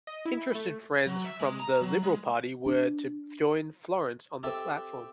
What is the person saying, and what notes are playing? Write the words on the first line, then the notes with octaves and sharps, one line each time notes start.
Interested friends from the Liberal Party were to join Florence on the platform.
D#5
E4
A3
F#3
E5
G#3
A#5
F#3
G#3
D4
C4 G4 A4 E5 G5